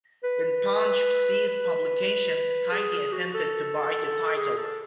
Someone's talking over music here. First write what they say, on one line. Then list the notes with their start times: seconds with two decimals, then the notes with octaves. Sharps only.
When "Punch" ceased publication, Tidy attempted to buy the title.
0.24 B4
0.43 B4
1.48 B4
2.72 G#4
3.12 F#4
3.34 A4
4.37 G#4
4.58 A4